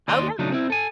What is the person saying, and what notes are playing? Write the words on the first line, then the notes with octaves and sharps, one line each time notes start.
Oh, yeah.
D#2 D5 D#5 C6
C#3 F#3 A3 D4 D#4
C4 E4
A4 G#5